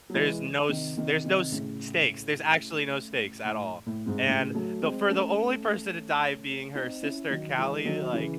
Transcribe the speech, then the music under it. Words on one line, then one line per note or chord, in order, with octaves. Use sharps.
There's no s there's no s stakes, there's actually no stakes at all, and the for the only person to die being her sister, Callie, like
F#3
E3 G#3
C3 D#3
C3 D#3
C3 D#3
A2 C#3
A2
A2
G#2 C3
A2 C#3
F#3 A3
G#3 C4
A3 C#4
C4 D#4
C#4 E4
D#3 F#3
E3 G#3
D#3 F#3
C#3 E3